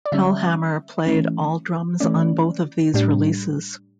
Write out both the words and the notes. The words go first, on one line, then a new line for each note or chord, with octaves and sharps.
Hellhammer played all drums on both of these releases.
D5
D3 G3 C#4 E5
E3 A3 C#4
E3 A3 C#4 D5
A2 G3 D4